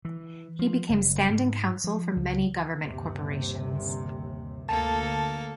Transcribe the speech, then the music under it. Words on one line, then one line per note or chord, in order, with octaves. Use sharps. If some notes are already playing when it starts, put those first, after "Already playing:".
He became standing counsel for many Government Corporations.
E3
F3
F#1
G#2
F3
C#2
G1 D#2 C3
D2 A#3 A4 A5